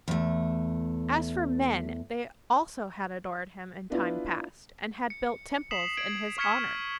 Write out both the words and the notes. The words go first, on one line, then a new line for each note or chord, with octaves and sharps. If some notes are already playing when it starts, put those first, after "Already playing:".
As for men, they also had adored him in time past, and had built temples in his honor.
E2 A3
B3 D4 E4 F4 B4
C#7
D#6 B6 C7 E7 F#7
G#6 D7 F#7
C#6 F6 G#6 B6 C#7 E7